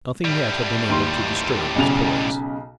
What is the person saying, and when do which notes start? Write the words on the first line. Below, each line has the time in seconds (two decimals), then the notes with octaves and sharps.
Nothing yet had been able to disturb his poise.
0.25 A2 G3
0.89 D#2 C6
1.76 B1 C#3 F7